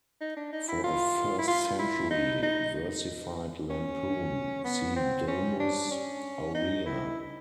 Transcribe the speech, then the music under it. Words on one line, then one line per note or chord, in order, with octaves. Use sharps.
For a first-century versified lampoon, see Domus Aurea.
D#4
D4
D#4
E4
F4
E4
F4
E4
D#4
D#4
C#4
B3
C4
C#4
D4
C#4
D#4
E4